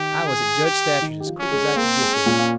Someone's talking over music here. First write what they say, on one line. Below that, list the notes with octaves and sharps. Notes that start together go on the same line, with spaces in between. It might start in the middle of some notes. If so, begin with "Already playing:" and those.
I was at Judge Thatcher's as quick as I could get there.
Already playing: D#3 G4
G#4
G4
D#3 D#4
G4
F3 F4
C#4 G4
G#3 G#4
A#3 C4 A#4
G#3 G#4
C#4
A#2 A#3
A#3